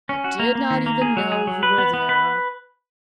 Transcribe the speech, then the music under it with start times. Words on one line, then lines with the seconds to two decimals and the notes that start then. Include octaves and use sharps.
"I did not even know you were there."
0.09 C#4
0.24 F#4
0.39 A#3
0.55 A#3
0.70 D#3
0.86 A#3
1.02 G#4
1.17 F#3
1.32 G#4
1.47 F#3
1.63 B4
1.78 B3
1.94 B3
2.09 B4